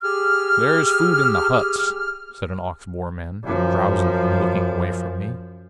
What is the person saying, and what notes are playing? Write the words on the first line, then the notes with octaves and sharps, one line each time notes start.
"There is food in the huts," said an Ox-boar-man, drowsily, and looking away from me.
G4 G#4 F6
F#2 F3